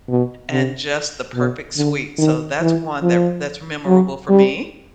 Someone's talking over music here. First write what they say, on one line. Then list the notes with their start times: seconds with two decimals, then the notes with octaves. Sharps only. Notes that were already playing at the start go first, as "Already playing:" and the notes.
and just the perfect sweet, so that's one that f that's memorable for me.
0.09 B2
0.51 C3
1.35 B2
1.77 D3
2.18 D#3
2.61 E3
3.02 F3
3.87 F#3
4.29 G3